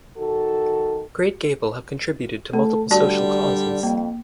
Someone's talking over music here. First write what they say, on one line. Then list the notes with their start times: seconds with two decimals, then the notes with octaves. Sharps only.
Great Gable have contributed to multiple social causes.
0.18 D#3 F#4 A4
2.53 A3 A4
2.91 D3 G3 F#4 D5 A5
3.83 F2 A#3